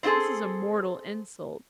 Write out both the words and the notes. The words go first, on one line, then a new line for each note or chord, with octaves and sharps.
"This is a mortal insult!"
C4 E4 F4 G#4 A4